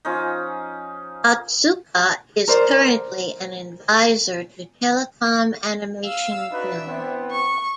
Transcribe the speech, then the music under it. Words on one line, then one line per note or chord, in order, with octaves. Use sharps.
Otsuka is currently an advisor to Telecom Animation Film.
F3 C#4 D#4
A#4 C5 D5
F5 E6
D4 D#4 F#4 B4 E5
E3 B3 C4
C#6